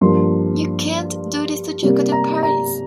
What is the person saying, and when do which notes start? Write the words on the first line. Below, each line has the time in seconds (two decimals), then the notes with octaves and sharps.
You can't do this to Jocko De Paris!
0.01 G2 F3 A#3 C6
1.82 C3 G3 A#3
2.12 A#5
2.43 A#5